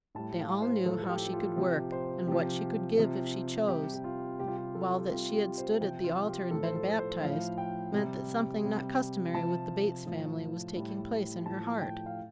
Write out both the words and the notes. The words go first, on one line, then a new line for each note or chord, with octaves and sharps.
They all knew how she could work, and what she could give if she chose; while that she had stood at the altar and been baptized, meant that something not customary with the Bates family was taking place in her heart.
A2 G3 A5
F5
C5
A2 F3 A4
A4
G4
F4
C3 F3 G4
C5
C3 F3 G4
C3 F3
C3 G4
G3
G4
F4
C3 G3 F4 G4
G4
A4
G4
C3 G3 F4
G4
C5
C3 F3 G5
F4
F4
G4
A2 F3 A4
C5
A4
C5
A2 F3 F5
G5
C3 G3
C3 G3
C3 F3 A5
A2 F3
A2 G3
A2 F3 A5
G5
F5